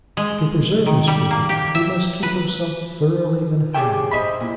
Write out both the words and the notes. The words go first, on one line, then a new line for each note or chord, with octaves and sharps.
To preserve his freedom, he must keep himself thoroughly in hand.
G#3
D#3
G3
A#3
G4
E5
B4
G4 G#4 C#5 D5 E5 G5
C5 D#5 E5 B5
A#2 E4